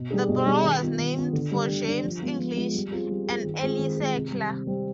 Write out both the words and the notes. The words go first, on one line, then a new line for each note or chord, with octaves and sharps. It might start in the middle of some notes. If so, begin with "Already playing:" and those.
The borough was named for James English, an early settler.
Already playing: B2
G3 D4 G#4
B2
G3 D4 G#4
D#3
B3 F4
D#3
B3 F4
D3
G3 D4
D3
G3 D4
F3
G#3 B3 F4
F3
G#3 B3 F4
G3
C4 F4 G#4
G3
C4 F4 G#4
D#3
G#3 C4 F4 G#4
D#3
G#3 C4 F4 G#4
C3
G3 C4
C3
G3 C4